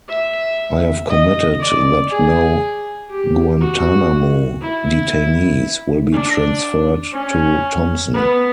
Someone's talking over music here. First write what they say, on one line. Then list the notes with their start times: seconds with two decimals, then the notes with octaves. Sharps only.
I have committed that no Guantanamo detainees will be transferred to Thomson.
0.09 E5
1.10 D#5
1.60 D5
2.10 G#4
3.11 G4
3.61 F#4
4.62 E4
6.12 D4
7.13 C#4
8.14 B3